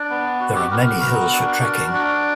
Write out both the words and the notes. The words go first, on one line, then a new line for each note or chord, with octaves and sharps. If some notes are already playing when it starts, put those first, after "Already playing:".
There are many hills for trekking.
Already playing: D4
B3
F#4
G4
B3 F#4 A#4
F#4 A#4
B3 F#4 A#4
D4
F#4
D4